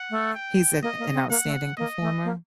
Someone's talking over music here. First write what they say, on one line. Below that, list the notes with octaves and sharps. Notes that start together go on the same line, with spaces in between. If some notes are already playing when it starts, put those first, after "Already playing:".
He's an an outstanding performer.
Already playing: F#5
A3
G5
A#3 D#5
A#3
C4
A#3 F#5
A3
A#3 D#5
A3
A#3